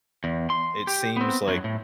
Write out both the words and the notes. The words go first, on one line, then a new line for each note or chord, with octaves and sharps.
it seems like
E2
C6
G4
B3 C4
F#2 F#3
A2